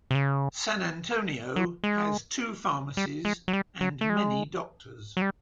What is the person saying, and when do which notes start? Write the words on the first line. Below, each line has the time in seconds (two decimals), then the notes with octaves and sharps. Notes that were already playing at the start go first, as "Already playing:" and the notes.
San Antonio has two pharmacies and many doctors.
0.11 C3
0.15 C#3
1.56 F#3
1.84 G#3
2.97 G3
3.25 G#3
3.48 F#3
3.53 G3
3.81 F#3
4.01 A3
4.10 G#3
5.17 F#3
5.22 G3